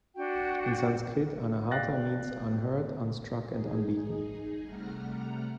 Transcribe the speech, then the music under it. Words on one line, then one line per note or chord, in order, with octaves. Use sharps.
In Sanskrit, "anahata" means "unhurt, unstruck, and unbeaten".
D4 F#4 F#5 G5
D5 F5 G5 F#6 A6 A#6
D#4 G#4
C3 G3 A3 F#5 A#5 F6